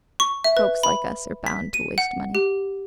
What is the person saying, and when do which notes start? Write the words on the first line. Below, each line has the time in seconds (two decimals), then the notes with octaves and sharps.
Folks like us are bound to waste money.
0.20 C#6
0.44 E5
0.57 B4
0.83 B5
1.46 B6
1.74 D#7
1.98 F#5
2.35 G4